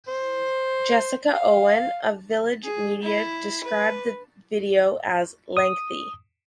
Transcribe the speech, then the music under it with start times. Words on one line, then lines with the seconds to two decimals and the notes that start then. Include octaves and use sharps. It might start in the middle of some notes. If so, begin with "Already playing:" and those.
Jessica Owen of Village Media described the video as "lengthy".
0.08 C5
1.35 F5
2.64 G#4
3.02 E4
3.64 B4
5.57 D#6